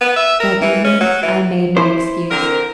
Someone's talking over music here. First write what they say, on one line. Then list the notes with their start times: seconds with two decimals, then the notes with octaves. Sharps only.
That evening I made my excuse.
0.01 B3
0.16 E5
0.40 A#4
0.62 E3
0.84 C#4
1.01 F#3
1.23 E3
1.77 E4 C5
2.30 D3 C4 A#4